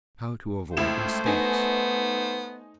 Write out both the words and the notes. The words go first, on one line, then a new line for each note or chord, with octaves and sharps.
How to Avoid Mistakes.
C#2 A3 E4 C5 E7
B3 D#4 G#5